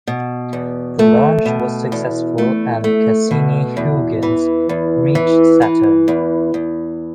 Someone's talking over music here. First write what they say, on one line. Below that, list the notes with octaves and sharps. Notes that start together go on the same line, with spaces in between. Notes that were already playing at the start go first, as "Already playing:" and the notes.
The launch was successful and "Cassini-Huygens" reached Saturn.
B2
E2
A3
B2
E2
A3
A3
B2
E2
E3
E2
E3
E3
E2
E2